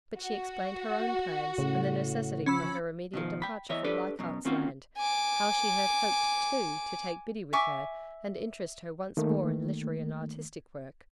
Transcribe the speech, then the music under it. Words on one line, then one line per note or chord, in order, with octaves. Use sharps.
But she explained her own plans and the necessity for her immediate departure from Leichardt's Land--how she had hoped, too, to take Biddy with her and interest her once more in literary and artistic work.
F#4
A2 C#3
F3 C#4 B5 E6
B2 D#3 F3
G5 B5
E2 E3 C#5 D#5 E5
D4 G4 A4 B4 D5
F#2 B2
D#3 A#3 C4 C#4 F4 F#4
G#5 D6
E5 G#5 C#6 D6
D#3 A3 A#3